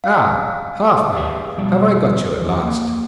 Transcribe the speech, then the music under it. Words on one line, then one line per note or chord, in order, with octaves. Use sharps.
'Ah, Halfman, have I got you at last?
F5
G4 G#4 B4 D5 E5 F5
F2 B2 F#3 G3 D5 A5
E3 G4
A#3